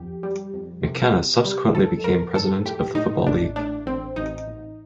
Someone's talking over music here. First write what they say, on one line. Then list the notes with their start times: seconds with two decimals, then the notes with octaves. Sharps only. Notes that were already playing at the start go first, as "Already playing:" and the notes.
McKenna subsequently became President of the Football League.
Already playing: F2 G4
0.23 G3
0.54 F2
0.84 C3
1.14 C3
1.45 G3
1.75 F2 A4
2.04 F2 A#4
2.34 F2 A4
2.66 A2 G4
2.95 A2 D#4
3.26 A1 D4
3.56 A2 D4
3.86 A1 C4
4.16 A1 D#4
4.47 A1